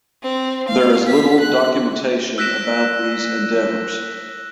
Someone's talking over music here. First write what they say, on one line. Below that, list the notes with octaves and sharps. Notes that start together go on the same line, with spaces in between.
There is little documentation about these endeavors.
C4
F5
B6
F#6
E6 F#6 A#6 B6 D7 E7